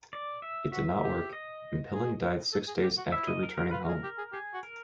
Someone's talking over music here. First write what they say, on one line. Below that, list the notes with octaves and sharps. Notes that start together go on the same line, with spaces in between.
It did not work, and Pilling died six days after returning home.
D5
E5
F#4 E5
G4
D#5
G#4
A4
G#4
G4
F#4
E4 E5
D#5
A#4
A#4
F4 B4
G#4 A#4
G4
G#4
G4 G#4
F#4
A#4